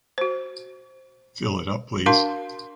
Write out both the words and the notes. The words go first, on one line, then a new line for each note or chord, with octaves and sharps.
Fill it up, please.
F#4 C5
D4 F#4 A#4 F5 A5 C6